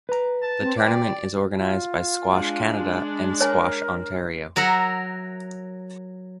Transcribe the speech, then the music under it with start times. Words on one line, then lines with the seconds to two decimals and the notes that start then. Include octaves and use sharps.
The tournament is organized by Squash Canada and Squash Ontario.
0.09 B4 A#5
0.42 A5
0.61 C4
0.78 D5 G5
1.59 F4
2.29 G#3 D4
3.41 A#4 C#5 G#5
4.56 F#3 A#4 E5 F#5